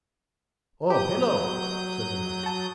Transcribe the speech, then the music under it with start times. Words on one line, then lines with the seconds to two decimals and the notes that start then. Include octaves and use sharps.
"Oh, hello!" said the man.
0.90 F#3 G4 D#6 G6
2.43 F#4 A5